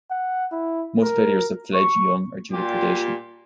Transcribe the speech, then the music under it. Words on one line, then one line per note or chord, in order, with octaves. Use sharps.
Most failures to fledge young are due to predation.
F#5
E4
A#4
C#6
A#2 G3 F4 G4